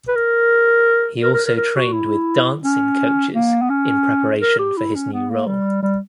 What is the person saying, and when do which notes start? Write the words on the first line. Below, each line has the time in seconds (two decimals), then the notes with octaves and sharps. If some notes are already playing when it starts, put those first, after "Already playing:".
He also trained with dancing coaches in preparation for his new role.
0.08 B4
0.16 A#4
1.23 A#4
1.34 A#4
1.46 A#4
1.57 A#4
1.76 F#4
1.93 E4
2.64 C#4
3.35 A#3
3.62 B3
3.70 C#4
4.41 A#4
4.59 G4
4.77 E4
4.95 C#4
5.13 B3
5.30 A#3
5.47 G3
5.82 G3